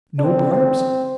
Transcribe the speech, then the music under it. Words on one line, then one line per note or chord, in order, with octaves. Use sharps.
"No barbs?"
D4
C4
C4